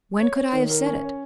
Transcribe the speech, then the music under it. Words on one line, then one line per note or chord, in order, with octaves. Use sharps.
"When could I have said it?"
C#5
C#5
D#3
A#4
C#4
C#5